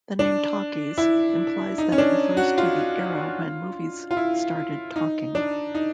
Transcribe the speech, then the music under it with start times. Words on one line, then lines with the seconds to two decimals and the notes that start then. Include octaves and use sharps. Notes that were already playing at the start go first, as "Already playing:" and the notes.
The name talkies implies that it refers to the era when movies started talking.
0.19 D4
0.98 E4
1.78 D#4
1.92 C#4
1.98 D4
2.37 F#4
2.58 F4
4.11 F4
4.17 E4
4.96 D#4
5.35 D4
5.75 D#4